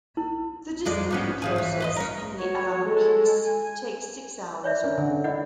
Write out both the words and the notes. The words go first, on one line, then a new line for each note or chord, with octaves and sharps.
The distilling process in the "alambiques" takes six hours or more.
E4
F2 G#3 D5
F3 B3 C#4
E3 F3 G#4
E2 E3
B4 C5 D#5
C#4 A#4
F#4 C#5
G#3 A4
G#5
C#5 D5 E5
C#4 D4 A#4
D3
E4 D5 D#5 F#5